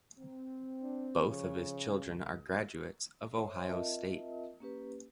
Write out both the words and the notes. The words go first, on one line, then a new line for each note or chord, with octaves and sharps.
Both of his children are graduates of Ohio State.
C4
D4
C#3 F3 C#5
C#2
C5 C#5 E5 C6
C4 F4 A#4 D#5 E5 A5
A#3 C#4 G4 B4